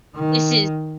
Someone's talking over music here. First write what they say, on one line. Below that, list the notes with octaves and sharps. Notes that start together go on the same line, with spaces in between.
this is
D#3